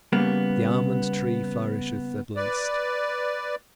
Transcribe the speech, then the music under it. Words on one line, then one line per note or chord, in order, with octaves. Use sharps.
The almond-tree flourisheth at least.'
C#3 G3 A#3 B3
B4 D5